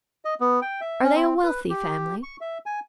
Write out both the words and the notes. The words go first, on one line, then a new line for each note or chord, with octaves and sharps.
"Are they a wealthy family?"
D#5
B3
G5
E5
C#4
C4
B4
G4
C#6
E5
G#5